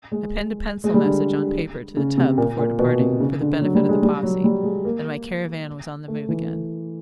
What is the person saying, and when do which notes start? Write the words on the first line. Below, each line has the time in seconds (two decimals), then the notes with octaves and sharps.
I pinned a penciled message on paper to the tub before departing, for the benefit of the posse, and my caravan was on the move again.
0.12 G#3
0.84 G#3
0.94 G3
1.04 D3
1.97 C#3
2.18 C3
2.38 A#2
2.59 A#2
2.79 B2
2.99 C3
3.20 C#3
3.41 D3
3.61 F#3
3.75 G3
3.89 G#3
4.02 G3
4.23 F#3
4.44 G3
4.64 G#3
4.85 A#3
6.08 A3
6.29 E3